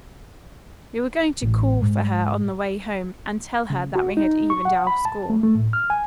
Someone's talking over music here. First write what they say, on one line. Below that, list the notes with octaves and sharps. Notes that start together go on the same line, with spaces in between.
We were going to call for her on the way home, and tell her that we had evened our score.
A1
G#2
C#3
F#4
D#4
C#6
F#5
B5
A5
A3
A3
A2
F6
G#5